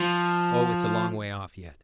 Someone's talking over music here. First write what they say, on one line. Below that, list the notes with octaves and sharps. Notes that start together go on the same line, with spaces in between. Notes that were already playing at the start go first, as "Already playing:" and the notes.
Oh, it's a long way off yet.
Already playing: F3